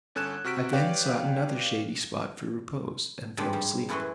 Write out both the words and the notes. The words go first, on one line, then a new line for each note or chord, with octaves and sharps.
I then sought another shady spot for repose, and fell asleep.
G1 C#4 A4 F#6 G#6 E7
C3 F#4 F6 B6 D7
G4 B4 C#5 D5 F5 G5
G2 A#2 F3 G3 G#3
G#2 G3
F#2 A2 E3 F#3 B4 C6